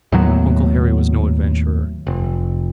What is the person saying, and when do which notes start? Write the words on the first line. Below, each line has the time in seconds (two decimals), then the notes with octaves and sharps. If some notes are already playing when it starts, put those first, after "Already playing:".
Uncle Harry was no adventurer.
0.12 D#2 A2 F#3 B3
2.07 F1